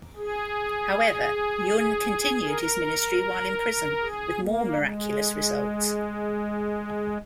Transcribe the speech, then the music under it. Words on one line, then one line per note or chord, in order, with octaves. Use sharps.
However, Yun continued his ministry while in prison, with more miraculous results.
G#4
A#4
G#4
A#3
G#3